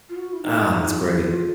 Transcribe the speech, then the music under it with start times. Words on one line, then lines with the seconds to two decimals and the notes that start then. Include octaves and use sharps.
Ah, that's great.
0.09 F4
0.16 F#4
0.33 E4
0.42 D#4
0.85 F4
0.94 E4
1.20 F4